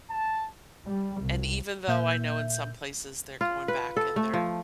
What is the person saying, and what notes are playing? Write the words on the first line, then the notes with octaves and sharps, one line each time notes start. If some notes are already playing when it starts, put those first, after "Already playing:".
and even though I know in some places they're going back and they're
A5
G3
C2
A#2 A#3 E5 G6
F4
B4
A4
A3
F3